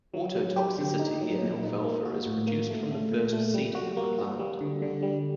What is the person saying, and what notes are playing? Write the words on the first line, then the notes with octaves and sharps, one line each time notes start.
Autotoxicity in alfalfa is produced from the first seeding of the plant.
F#3
F#3
G4
D3
D#4
F#3
A#2
D#4
A#3
F#4
A2
A#3
A3
A3
A#2
A3
G3
F#4
A#3
F#4
G3
D3
D3
G3